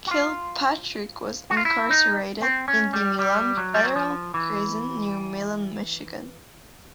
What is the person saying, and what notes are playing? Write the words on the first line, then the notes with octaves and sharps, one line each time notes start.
Kilpatrick was incarcerated in the Milan Federal Prison near Milan, Michigan.
F#4
F4
F#4
F4
E4
D#4
C4
C#4
G3
G3
F#3
G3
F#3
F3
E3